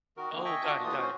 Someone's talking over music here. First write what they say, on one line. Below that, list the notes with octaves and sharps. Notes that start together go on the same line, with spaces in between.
Oh, got it, got it.
D#3 F#4 A#4
D3 D#3 A3 A#3
D#5 E5 G5 G#5 C#6
D4 F4 F#4 D#5
D#2 E3 A3 F4 D#6
C#4 F#4 C5